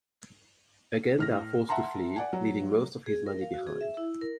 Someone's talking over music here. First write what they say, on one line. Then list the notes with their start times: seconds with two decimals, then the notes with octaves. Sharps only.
Again they are forced to flee, leaving most of his money behind.
1.18 A2 F6 A#6
1.69 E5 F#5 A5 A#5 C6
2.16 D5 F#5 G#5
2.33 F#3
3.06 G#4
3.26 A#4
3.41 F5
3.54 F#4
3.67 G#4
3.81 E5
3.97 E4
4.22 A#4